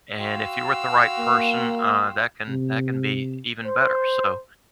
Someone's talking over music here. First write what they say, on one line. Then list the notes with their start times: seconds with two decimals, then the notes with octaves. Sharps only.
and if you're with the right person, uh, that can that can be even better, so,
0.18 F#4 F5 G5 C6 E6
1.19 A#3
2.48 C3
3.65 C5